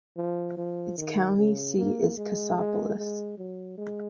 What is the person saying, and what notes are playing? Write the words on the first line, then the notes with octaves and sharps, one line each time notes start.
Its county seat is Cassopolis.
F3
F3
D#3
C#3
A#3
G#3
G#3
G#3
F#3
G#3